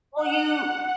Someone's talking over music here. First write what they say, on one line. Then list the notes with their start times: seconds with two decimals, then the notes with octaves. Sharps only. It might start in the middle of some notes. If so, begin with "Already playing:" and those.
Well, you
0.21 F#5